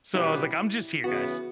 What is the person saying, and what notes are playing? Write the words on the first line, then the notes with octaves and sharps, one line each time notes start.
So I was like, "I'm just here, guys,"
B2 G3 C#4 E4 G4 B4
C#3 E3 B3 F#4